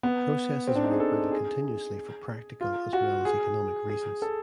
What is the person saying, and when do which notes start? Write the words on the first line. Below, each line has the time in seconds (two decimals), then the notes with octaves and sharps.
Processes are operated continuously for practical as well as economic reasons.
0.03 B3
0.67 C4
0.75 D4
0.84 D#4
0.91 G#4
1.00 A4
1.32 G#4
2.61 F4
2.93 F#4
3.25 G#4
3.89 G#4
4.22 A4